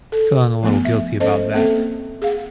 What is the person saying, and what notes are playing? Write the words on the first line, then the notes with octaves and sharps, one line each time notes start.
feeling a little guilty about that.
A4
F3 A3 B3
E5
C#4 A4 C5 D#5
A#3 C4 A4 E5
G#4 F5 F#5